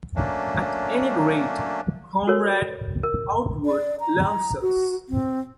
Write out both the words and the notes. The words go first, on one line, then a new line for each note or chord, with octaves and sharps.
At any rate, Comrade Outwood loves us.
F#3 A3 A#3 C#4 D4
F#4 A4 A#4 C#5
A#4
D5
A#5
F#4
C4